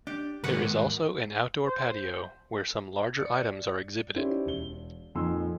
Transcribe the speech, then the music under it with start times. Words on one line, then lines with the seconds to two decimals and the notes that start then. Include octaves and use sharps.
There is also an outdoor patio where some larger items are exhibited.
0.07 D4 G4
0.44 D#2 G#2 F#4 A#4 B4 F#5
1.66 C5
3.17 D5 A6 C#7
4.16 C#4 D#4 E4 G4 C5 D5
4.46 E1 G7
5.15 F2 A#2 D#4 G#5 C6 E6